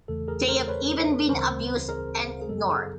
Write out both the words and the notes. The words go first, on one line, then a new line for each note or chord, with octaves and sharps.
They've even been abused and ignored.
E2 C#3 E3 A3 A4
G#4 A#4
A#4 C5
B4 C#5
D2 C#3 E3 G3 C4 A#4 C5
G#4 A#4
G#4
F#2 C#3 F#3 B3 A4
G#4